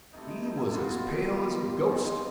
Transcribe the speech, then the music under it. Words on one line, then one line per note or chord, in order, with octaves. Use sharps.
He was as pale as a ghost.
C3 E3 A3 D#4
D#4
D#4
E4
A#2 F#3 B3 F4
B2 G3 A#3
C#4
G2 D#3 G#3 C4